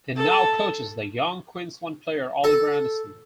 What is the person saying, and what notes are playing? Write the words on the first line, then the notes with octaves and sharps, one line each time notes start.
He now coaches the young Queensland player Oliver Anderson.
A4 A5
A4